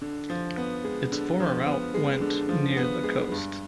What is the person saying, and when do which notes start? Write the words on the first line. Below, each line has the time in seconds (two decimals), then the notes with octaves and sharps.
Its former route went near the coast.
0.02 D3
0.30 F3
0.57 B3
0.84 G#3
1.12 D3
1.40 F3
1.66 B3
1.94 G#3
2.21 D3
2.49 F3
2.77 B3
3.04 G#3
3.32 G2